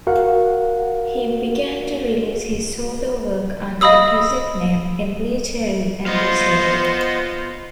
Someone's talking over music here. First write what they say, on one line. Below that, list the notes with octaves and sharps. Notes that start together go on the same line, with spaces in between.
He began to release his solo work under the project name Endlicheri-Endlicheri.
F#4 A#4 F5 F#5
D#5 F5 B5 D#6 E6
B3 F4 B4 C5 D#5 F5